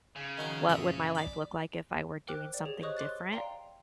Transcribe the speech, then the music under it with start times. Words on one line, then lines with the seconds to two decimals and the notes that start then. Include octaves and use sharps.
what would my life look like if I were doing something different,
0.16 C#3
0.38 D#3 F#3 G#4
0.69 F#2 A#2 F3 E5 D#6
1.15 D5 B5
2.28 A#4 C5 G5 D6 F6 F#6
2.54 D5
2.65 G4 G#4 C#5
2.82 C5 C#5 D#5 C#6 D#6 F#6
2.97 C6 D6 F#6 A6
3.33 D5 F5 G5 A#5 C6